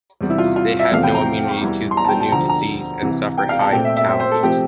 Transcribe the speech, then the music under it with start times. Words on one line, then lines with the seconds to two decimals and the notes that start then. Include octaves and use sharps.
They had no immunity to the new disease and suffered high fatalities.
0.21 E2 C3 G3
0.30 E4
0.38 F4
0.56 F4
0.79 E5
0.91 E2 C3 F3 A3 C4 F5
1.03 G5
1.15 A#5
1.62 E2 E3 G3
1.91 C6
1.97 A#5
2.04 A5
2.09 G5
2.20 A5
2.32 D2 D3 F3 A#5
2.49 A#5
3.02 C2 C3 E3
3.38 G5
3.49 F5
3.61 A5
3.72 A#2 A3 C4 G5
3.85 E5
3.96 E5
4.08 C5
4.20 C5
4.31 A4
4.43 C3 F3 A3 C4 G4